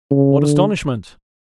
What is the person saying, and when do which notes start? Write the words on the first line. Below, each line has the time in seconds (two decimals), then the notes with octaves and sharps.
What astonishment!
0.11 C#3
0.40 D3